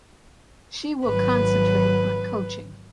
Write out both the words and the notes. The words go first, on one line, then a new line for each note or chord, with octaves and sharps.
She will concentrate on coaching.
G#1 F#3 B4